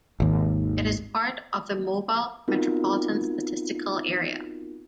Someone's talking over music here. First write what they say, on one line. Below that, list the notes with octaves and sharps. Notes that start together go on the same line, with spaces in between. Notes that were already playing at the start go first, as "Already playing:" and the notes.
It is a part of the Mobile metropolitan statistical area.
G#1 D#2
B3 C4 D#4 F4 F#4 A#4